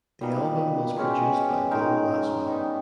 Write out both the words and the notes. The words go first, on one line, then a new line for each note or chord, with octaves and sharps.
The album was produced by Bill Laswell.
A#2 G3 B3 D#4
B2 G#3 C#4 G4
D#3 G#3 D#4 A#4
G3 B3 D#4